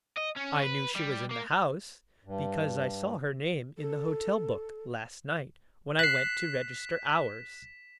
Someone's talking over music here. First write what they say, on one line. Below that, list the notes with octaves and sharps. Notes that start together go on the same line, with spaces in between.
"I knew she was in the house, because I saw her name in the hotel book last night when I went to register ours."
D#5
C#4
B4
G3
A#3
G2
A4
F#6 B6 C7 E7